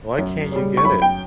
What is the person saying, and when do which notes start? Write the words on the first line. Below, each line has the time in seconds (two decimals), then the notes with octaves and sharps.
Why can't you get it?
0.19 F#2
0.52 C#3 G3
0.77 C#6
0.85 F#2 B5
1.02 G5